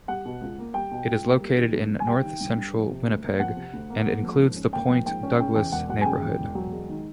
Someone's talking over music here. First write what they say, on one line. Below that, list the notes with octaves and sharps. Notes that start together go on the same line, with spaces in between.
It is located in north-central Winnipeg, and includes the Point Douglas neighbourhood.
G3 F#5
B2
C#2
A#3
G3 G5
B2
C#2
A#3
G3
D#3
G2
G2
G#5
G3 G5
D#3
G2
G2
F3
C3
D2
A#3
F3 F#5
C3
D2
A#3
A#3
F3
G#2
C#4
A#3 G5
F3
G#2 G5
C#4
C#3 G5
E2 G5
E1 F#5
F#3 F#5
G#5
C#3 G5
E2
E1
F#3
G#3
D#3